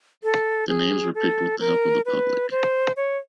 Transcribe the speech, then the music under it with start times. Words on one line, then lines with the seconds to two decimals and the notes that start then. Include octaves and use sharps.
The names were picked with the help of the public.
0.24 A4
0.69 G#4
1.15 A4
1.60 A#4
2.06 B4
2.51 C5
2.97 C#5